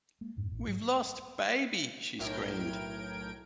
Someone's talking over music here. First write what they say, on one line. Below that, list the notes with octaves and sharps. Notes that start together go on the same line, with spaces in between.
"We've lost baby," she screamed.
G#3 A#3
F2 G#2
A1
G#2 F#3
B1 A2 A#4 G5 G#6 D7